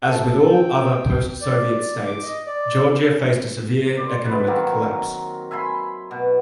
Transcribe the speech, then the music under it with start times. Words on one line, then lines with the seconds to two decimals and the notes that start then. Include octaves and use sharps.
As with all other post-Soviet states, Georgia faced a severe economic collapse.
0.07 A4
0.50 G5
1.41 D5
1.73 D5
2.06 D6
2.23 D#5
2.46 D5
3.97 C5 D5
4.25 B4
4.47 D#3 F#3 A#3 C4
5.51 E5 G#5 B5 C6
6.11 B2